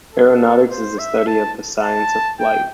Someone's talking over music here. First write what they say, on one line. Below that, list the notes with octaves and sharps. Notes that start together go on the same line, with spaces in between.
Aeronautics is the study of the science of flight.
A4
C5
E5
A5
A5
G5